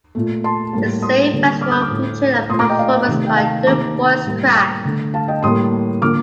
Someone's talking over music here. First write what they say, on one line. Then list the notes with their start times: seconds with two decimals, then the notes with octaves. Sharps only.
The same festival featured a performance by duo Voice Crack.
0.15 A#2 A3
0.44 A5 C6
0.73 A2 G3 A#3
1.03 C6 D#6
1.33 D3 G3 A#3
1.61 D6 F6
1.71 D#6 G6
1.81 D6 F6
1.91 A2 A3
2.49 A#2 A3 C6 D#6
2.59 A#5 D6
2.69 D#5 G5
2.79 D5 F5
3.08 C3 D#3 A3
3.26 G5
3.37 F5 A5
3.67 C3 D#3 A#3 A#5 D6
4.25 A2 G3 A#3
4.55 G5 A#5
4.85 D3 A3
5.14 F5 A5
5.28 D#5 G5
5.42 A2 G3 A#3 C6 D#6
6.02 D3 F3 A#3 D6 F6